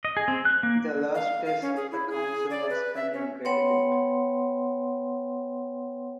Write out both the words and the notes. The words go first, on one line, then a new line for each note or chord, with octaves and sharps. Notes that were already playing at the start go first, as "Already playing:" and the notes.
The last days of the council were spent in gratitude.
D#5
G#4
C4
F#6
A#3
F5
F5
C#4
G#4
E4
G#4
D5
B4
E5
C#4
B3 B4 C#5 F#5 G5 C6